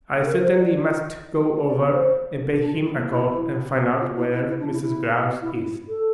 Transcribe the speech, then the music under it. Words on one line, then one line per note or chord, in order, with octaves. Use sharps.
I certainly must go over and pay him a call and find out where Mrs. Grouse is.
A4
A#4
C5
D5
D5
C5
D4
F4
E4
A#3
E4
F4
E4
E4
E4
D4
E4
E4
E4
A4